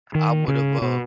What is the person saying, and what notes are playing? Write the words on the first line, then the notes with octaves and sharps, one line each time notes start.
I would 've uh,
D#3
C#3
B2